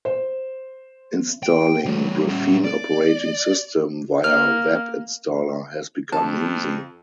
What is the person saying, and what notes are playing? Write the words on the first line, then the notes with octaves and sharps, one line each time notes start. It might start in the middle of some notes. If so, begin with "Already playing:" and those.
Installing Graphene Operating System via web installer has become easy.
C5
G5
E3 G3
G3 C#4
D5
A#3 F6
F2 A5